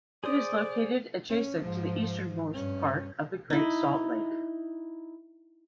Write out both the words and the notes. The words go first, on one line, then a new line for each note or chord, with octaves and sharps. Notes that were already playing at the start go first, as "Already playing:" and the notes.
It is located adjacent to the easternmost part of the Great Salt Lake.
G#4 C5 D5 D#6
C#4
G#2 F3
G2 C#4
D#4 E4